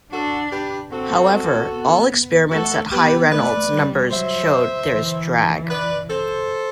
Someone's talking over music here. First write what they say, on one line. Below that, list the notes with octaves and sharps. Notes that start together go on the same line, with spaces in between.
However, all experiments at high Reynolds numbers showed there is drag.
D4 F#4 A4
G4 B4
C4 F#4 A4
B3
A3 F#4 A4
B3 G4 B4
A3 B4 D5
G3
F#3 C5 E5
E3
B4 D5
A4 C5